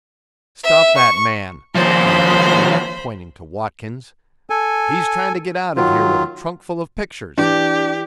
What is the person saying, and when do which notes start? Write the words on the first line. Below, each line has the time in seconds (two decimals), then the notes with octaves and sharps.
"Stop that man," cried the thief, pointing to Watkins, "he's trying to get out of here with a trunkful of pictures."
0.63 E5
0.97 C#6
1.75 D#2 F3 C5 B5
4.50 A4 G#5
5.76 D#3 F#3 F4
7.38 E3 D4 G4